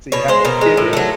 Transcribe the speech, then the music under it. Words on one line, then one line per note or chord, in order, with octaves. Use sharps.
So you have to pivot?
B2 C#5
G#3 C5
B2 A#4
G#3
A2
F#3 A3